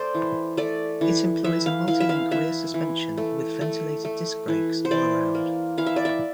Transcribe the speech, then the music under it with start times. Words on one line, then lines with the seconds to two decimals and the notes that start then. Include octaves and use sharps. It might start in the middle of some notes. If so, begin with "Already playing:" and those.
It employs a multilink rear suspension with ventilated disc brakes all around.
Already playing: A3 C5 D5
0.15 E3
0.57 A3 D5
1.01 E3
1.44 E3 E5
1.66 F5
1.88 E3 F5
2.00 E5
2.09 F5
2.31 E3 E5
2.74 E3
3.18 A3
3.61 A3
4.05 A3
4.48 E3
4.85 C5
4.91 E3 D5
5.35 A#3
5.78 E3 F5
5.86 E5
5.96 D5
6.05 E5